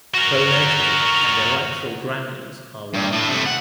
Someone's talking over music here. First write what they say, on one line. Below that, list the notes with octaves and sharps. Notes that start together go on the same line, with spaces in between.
Pronotal and elytral granules are large.
F#4 A#4
G2
A2 A4
C3 A3
F#5